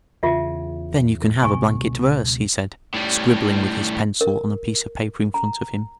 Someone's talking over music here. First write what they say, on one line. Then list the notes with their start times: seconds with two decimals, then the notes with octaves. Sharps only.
"Then you can have a blanket verse," he said, scribbling with his pencil on a piece of paper in front of him.
0.23 E2 C#3 F4 E5 F#5
1.43 C#2 B2 B3 G#5 C#6
2.94 A2 G3
4.21 A#4
5.34 A#5